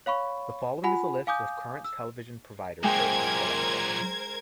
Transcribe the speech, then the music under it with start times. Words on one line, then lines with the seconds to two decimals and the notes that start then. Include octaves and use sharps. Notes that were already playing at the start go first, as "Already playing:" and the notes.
The following is a list of current television providers based in Sri Lanka.
0.06 C#5 F5 B5 C#6
0.84 F4 F#5 G#5 B5
1.27 F5 G#5 D6 D#6 G6
1.84 E6
2.83 F#2 A#2 G#3 A#4 C5 G5 G#6